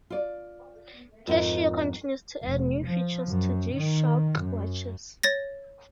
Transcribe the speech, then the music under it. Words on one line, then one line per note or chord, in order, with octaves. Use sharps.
Casio continues to add new features to G-Shock watches.
F4 D5
F2 G#2 C4 F4 A#4 D#5
F1
F3
F#2
D#3
F#2
C#5 A6 A#6